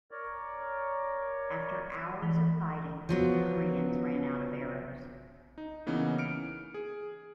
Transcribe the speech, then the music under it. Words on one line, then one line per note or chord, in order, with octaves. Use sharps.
After hours of fighting, the Koreans ran out of arrows.
A#4 C#5 D5
E3 B5
F3 F#3 B3
D#4
C#3 E3 A#3 B3 C#4 D#4
F6 C#7 D7
G#4